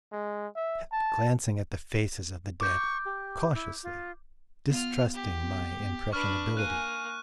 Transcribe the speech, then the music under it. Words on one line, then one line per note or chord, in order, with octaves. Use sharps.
I kept glancing at the faces of the dead cautiously, distrusting my impressionability.
G#3
E5
A5
C#6 D6 G6
G4
E4
F4
B3 F4 F6
G4
D4 B4 C#6 F6
A#3 G#5 F#6 D#7